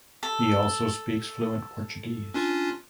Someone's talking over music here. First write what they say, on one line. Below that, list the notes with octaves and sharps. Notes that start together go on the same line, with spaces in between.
He also speaks fluent Portuguese.
A4
C#4 D4 F4